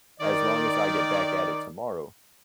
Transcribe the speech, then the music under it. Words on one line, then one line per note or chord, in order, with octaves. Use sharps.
as long as I get back at it tomorrow."
D#3 D5